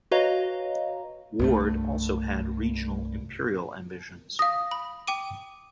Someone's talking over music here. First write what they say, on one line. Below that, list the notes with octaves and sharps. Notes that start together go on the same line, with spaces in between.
Ward also had regional imperial ambitions.
F#4 B4 C#5 D#5 F5 A#5
C2 G2 A3
F5 D#6 A#6
B5
G5 D6 D#7